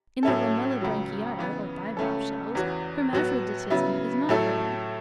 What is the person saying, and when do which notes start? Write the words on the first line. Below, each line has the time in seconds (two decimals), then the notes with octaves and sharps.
In the Lamellibranchiata, or bivalve shells, hermaphroditism is not rare.
0.23 A2 F#3 C#4 E4 A4
0.81 C#2 C#3 F#3
1.39 C#3 E3 B3
1.97 C#2 C#3 A3 C#4 A4
2.55 E2 E3 C#4 F#4
3.13 A2 F#3 B3 F#4
3.70 C#3 F#3 B3 E4
4.29 A2 F#3 A3 E4 A4